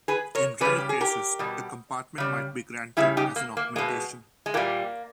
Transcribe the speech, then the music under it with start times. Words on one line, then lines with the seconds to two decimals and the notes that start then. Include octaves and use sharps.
In rare cases, a compartment might be granted as an augmentation.
0.08 G#4 B4
0.35 A#4 C#5
0.61 C#3 G3 G#4 B4
0.78 G4
0.89 G#4
1.01 G4 A#4
1.39 B2 G3
2.18 C#3 G3
2.97 C#3 G3 E4 G#4
3.17 D#4 G4
3.36 A#3
3.57 A#3
3.76 B2 G#3 A#3
4.46 G#3
4.54 A#2 G3 A#3